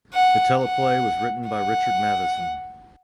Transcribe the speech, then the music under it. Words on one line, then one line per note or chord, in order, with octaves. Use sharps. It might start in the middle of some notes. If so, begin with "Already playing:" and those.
The teleplay was written by Richard Matheson.
F#5
F#5
F#5